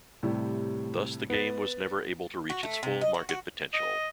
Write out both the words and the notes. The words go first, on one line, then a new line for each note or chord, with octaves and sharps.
Thus the game was never able to reach its full market potential.
A2 C3 G3
B3 A6
F#4
A3
C3
D#5
F#4
F#4
D#5